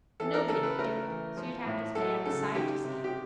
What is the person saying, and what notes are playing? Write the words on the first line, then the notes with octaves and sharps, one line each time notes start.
"Nobody would do it; so you'd have to stay outside, you see."
E3 A4
A#4
C#3 A4
B4
A3 A#4
E3
F3
A2
F#3 A4
C#3 A4
D#3 G4
C3
G4